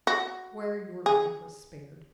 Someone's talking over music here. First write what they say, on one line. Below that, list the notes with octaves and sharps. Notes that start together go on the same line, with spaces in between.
Where your life was spared!
F#4
G#4